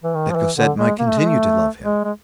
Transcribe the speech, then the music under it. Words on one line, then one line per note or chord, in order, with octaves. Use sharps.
That Cosette might continue to love him!
E3
D#3
F3
E3
D3
G#3
A#3
A3
G#3
A3
G#3
G#3